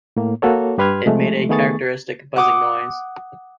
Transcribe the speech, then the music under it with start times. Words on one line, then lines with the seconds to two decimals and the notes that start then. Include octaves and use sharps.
It made a characteristic buzzing noise.
0.17 A2 A#3
0.42 A#3 F#4 A4 C#5
0.78 G2 G4 B4 C6 F6 G#6
1.06 C3 F3 G#3 A3
1.49 D#3 A3 B3 G#4 C#6 A6
2.36 F#5 D6 D#6